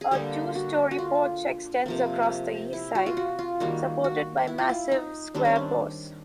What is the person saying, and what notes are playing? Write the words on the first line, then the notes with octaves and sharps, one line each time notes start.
A two-story porch extends across the east side, supported by massive square posts.
G#4
D3 G3 A#3 G4
F#4
F#4
F4
C3 F3 A#3
E4
F#4
F4
F#4
F4
D#3 G3 A#3 F#4
F#4
E4
F4
E4
D#4
D#3 G3 C4 D4
C#4
D4